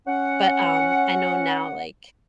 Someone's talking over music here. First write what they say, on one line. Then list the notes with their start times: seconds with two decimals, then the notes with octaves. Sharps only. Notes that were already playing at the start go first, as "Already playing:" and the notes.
but, um, I know now, like
0.07 C#4 F#5